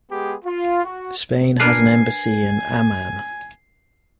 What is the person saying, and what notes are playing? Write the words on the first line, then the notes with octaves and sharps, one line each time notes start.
Spain has an embassy in Amman.
G#3 B3 G4 G#4
F4
F#4
D4 A#4 B4 G#5 C7